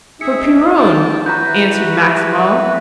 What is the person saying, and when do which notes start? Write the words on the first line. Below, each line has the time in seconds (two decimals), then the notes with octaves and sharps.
"For Piron!" answered Maximov.
0.21 D#4 G#4 E5 C#7
0.76 G5 A5
1.26 E4 F#4 G4 B4 A#5 G6
2.39 E5